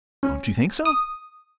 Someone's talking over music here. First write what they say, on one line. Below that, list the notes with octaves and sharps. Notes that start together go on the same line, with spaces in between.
"Don't you think so?"
C#4
D#6